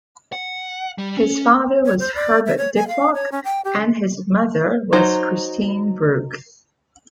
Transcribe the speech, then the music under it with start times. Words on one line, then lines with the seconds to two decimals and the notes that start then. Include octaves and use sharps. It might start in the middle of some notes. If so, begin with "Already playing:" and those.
His father was Herbert Diplock and his mother was Christine Brooke.
0.33 F#5
0.98 G3
1.17 C#4
1.85 C#5
2.00 C5
2.15 D5
2.46 E5
2.57 C#5
2.76 G#5
2.88 F5
3.14 C#5
3.32 C#4
3.44 G5
3.65 G4
4.93 F#3 D#4 C5